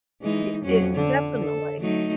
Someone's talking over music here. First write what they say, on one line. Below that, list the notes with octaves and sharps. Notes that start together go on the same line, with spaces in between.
Ye it definitely.
E3 G#3 D#4
F2 F#3 C#4
D3
A4
F#3 A3 D#4